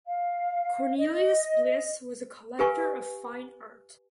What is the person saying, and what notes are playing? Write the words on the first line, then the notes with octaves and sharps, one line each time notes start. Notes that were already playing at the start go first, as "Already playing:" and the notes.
Cornelius Bliss was a collector of fine art.
F5
D#5
G4 A#4 B4 F5 G#5 C#6